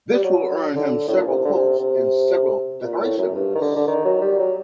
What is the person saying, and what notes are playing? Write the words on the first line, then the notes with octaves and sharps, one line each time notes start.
This will earn him several quotes and several decorations.
G3
F#3
D3
A2
A#2
C3
D3
C3
C3
A#2
A2
F#2
G2
D#3
D3
D3
D#3
F#3
G3
F#3